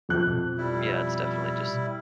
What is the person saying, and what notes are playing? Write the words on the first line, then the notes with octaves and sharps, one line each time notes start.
yeah, it's definitely just
F2 F#6
B2
G3 E4